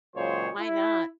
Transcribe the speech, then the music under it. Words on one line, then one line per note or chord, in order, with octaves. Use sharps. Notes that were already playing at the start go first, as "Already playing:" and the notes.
Why not?
C#2 A#2 F#3 G#4 C5 C#5
E4